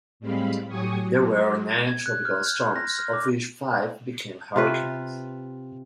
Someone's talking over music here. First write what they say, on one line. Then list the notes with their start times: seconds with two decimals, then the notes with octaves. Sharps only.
There were nine tropical storms, of which five became hurricanes.
0.20 A2 G3 G#3 C4 F5 B5
0.68 A2 F#3 G4 G#5 C#6 D#6
1.00 F#3
1.88 G#6
2.06 F#6
2.25 F6
2.46 G6
2.60 C6
2.76 A#6
2.99 F6
3.13 D6
4.56 C3 F4 B4